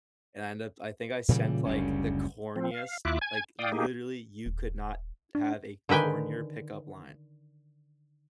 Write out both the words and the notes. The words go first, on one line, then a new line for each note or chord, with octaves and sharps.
And I end up I think I sent, like, the corniest, like, literally, you could not have a cornier pickup line,
A#2 C#3 E3 G3
F#1 D2 G3 C#4
F3 C4
F5
D#2 E4 F4 E5 D6 F#6
G#5 G#6
D5 F5 G5 D#6
A#3 D#4 G4 G#4
D#1
D4
D3 D#3 B4 G5 G#5